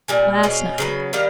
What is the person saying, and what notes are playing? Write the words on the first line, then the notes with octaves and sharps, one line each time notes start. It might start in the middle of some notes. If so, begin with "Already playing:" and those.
'Last night.
A#2 G3 G#5
B2 G#3 C#4
C#3 F#3 B3
D#3 G3 F5